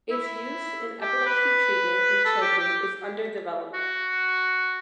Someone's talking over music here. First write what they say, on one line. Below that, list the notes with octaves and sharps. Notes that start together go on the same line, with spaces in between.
Its use in epilepsy treatment in children is under development.
E4
G4
B4
A4
G4
G4
F#4